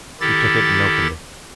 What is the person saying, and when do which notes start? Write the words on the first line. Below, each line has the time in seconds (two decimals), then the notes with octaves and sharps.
He took it and opened it.
0.21 D#3 E4 G4 A4 A6